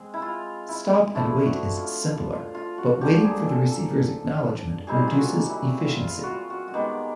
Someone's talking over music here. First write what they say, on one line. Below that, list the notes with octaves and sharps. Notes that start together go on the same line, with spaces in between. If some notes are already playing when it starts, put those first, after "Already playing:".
Stop-and-wait is simpler, but waiting for the receiver's acknowledgment reduces efficiency.
Already playing: G#3 C4 G#4
E4
F4
E4
F3 A3 D4 E4
F#4
F4
F4
F4
F4
F#4
D3 F3 A#3 G4
G#4
A4
A4
A#2 G3 C4 D#4 G#4
F4
F#4
E4
F4
F4
F4 F#4
F#4
F#4
D#3 G#3 B3 G4